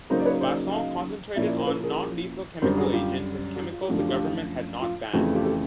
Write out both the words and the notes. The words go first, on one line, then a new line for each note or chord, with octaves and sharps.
Basson concentrated on non-lethal chemical agents and chemicals the government had not banned.
C#3 F#3 A#3 D#4 A#4 C5
D5
B4 C#5
C5 D5
D#5 F5
A#2 F3 A#3 C#4 E4 D5 E5
D5 E5
A#4 C5
A4 B4
G#4 A#4
F#2 D3 G3 A#4 C5
F#4 G#4
F4 G4
F#4
F4
G4
F#2 D3 F3 A3 D4 F#4
F4 G4
F4 G4
F4
F2 C#3 E3 A3 F#4
F4 G4
G4 A4